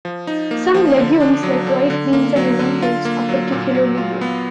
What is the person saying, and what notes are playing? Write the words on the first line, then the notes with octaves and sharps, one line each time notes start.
Some legumes, like white beans and lentils are particularly good.
F3
D#4
A#3
F3
D3
D4
F#3
D3
D3
A#3
F#3
D3
F4
A#3
F#3
A#2
F#3
F4
B3